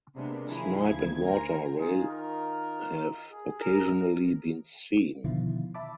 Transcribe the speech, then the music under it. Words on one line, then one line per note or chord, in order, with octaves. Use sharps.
Snipe and water rail have occasionally been seen.
C3 G#3 A#3 B3 D4
D#3 F3 E4 G#4
D2 G#6
A#4 C5 G#5 A#5
D#3 D#4 F4 G#4
A#4
G#4
A#4
B2 D3 D#3 F3 E4 F4
E5 A5 B5 D6